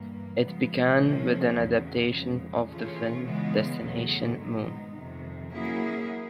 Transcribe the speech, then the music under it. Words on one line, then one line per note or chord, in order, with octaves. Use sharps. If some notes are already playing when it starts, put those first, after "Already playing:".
It began with an adaptation of the film "Destination Moon".
Already playing: G2 E3 G3 A#3
C#3 F3 G#3 B3
C3 F3 A3 C#4
E2 C#3 F#3
F2 C#3 F3 G#3
E3 A3 C#4 F4 G#4
C#3 E3 G#3 B3
E2 C#3 F#3 A3
G#2 D#3 G#3 B3 D#4
F2 C3 D#3
F#3 A#3 C#4 E4 G#4